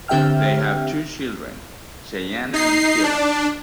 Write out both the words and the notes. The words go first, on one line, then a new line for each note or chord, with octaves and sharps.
They have two children Shayne and Sienna.
D3 C4 G4 E5 G5 F6
D#4 C7
D4